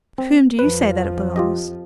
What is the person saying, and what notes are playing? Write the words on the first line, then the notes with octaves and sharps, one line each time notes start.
"To whom do you say that it belongs?"
C4
F2 F3 B4
F4 G4 D#5